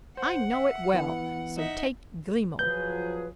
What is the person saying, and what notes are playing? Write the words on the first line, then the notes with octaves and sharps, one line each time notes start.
"I know it well, so take Grimaud."
C5 F#5
E5
E3 B3 E4
D#4 E5 F#5
F3 F#3 G#4 B4 G6